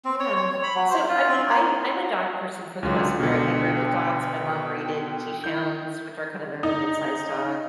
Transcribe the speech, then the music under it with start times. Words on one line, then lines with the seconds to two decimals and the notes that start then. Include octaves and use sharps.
Yeah. So, I mean, I I'm a dog person for the most part, I grew up with dogs, my mom breeded Keeshonds, which are kind of a mid-sized dog.
0.05 C4
0.20 C#5
0.37 C#5
0.51 C#5
0.63 B5
0.75 F#3
0.91 C5
1.09 F4
1.29 C4
1.49 A#3
2.83 C#2 D3 F#3 F4
3.20 B2 D3 G5
5.44 E4 G6
6.63 D#4